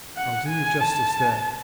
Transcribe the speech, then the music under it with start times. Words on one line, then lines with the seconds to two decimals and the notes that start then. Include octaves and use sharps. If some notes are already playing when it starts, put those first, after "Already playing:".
I'll do you justice there.
0.16 F#5
0.49 G#5
0.81 A5